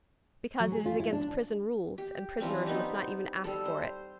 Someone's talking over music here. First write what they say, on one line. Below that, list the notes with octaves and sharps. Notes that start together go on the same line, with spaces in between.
"Because it is against prison rules, and prisoners must not even ask for it."
F#3
G#4
F4
E4
D4
G4
E3 F3 G3 C4
B3 C4 D#4 G4
G3 A4
C5